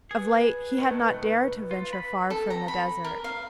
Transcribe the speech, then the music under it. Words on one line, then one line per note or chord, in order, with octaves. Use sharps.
Of late he had not dared to venture far from the desert.
G#4 B4
B2 D#3 A3
F4
B5
A4
A#5
B5
A#4
F5